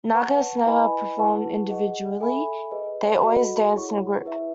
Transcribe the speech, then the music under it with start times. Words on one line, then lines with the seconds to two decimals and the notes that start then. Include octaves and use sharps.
Nagas never perform individually, they always dance in a group.
0.15 B4 F#5 A5 C#6
0.66 E4 B4 D#5 G#5 B5
1.18 E4 B4 F#5 A5 C#6
1.69 G#4 D#5 F#5
2.20 A4 E5 G#5 B5
2.71 G#4 B4 D#5
3.23 F#4 A4 D#5 F#5 B5
3.74 E4 G#4 C#5 F#5 C#6
4.25 E4 B4 E5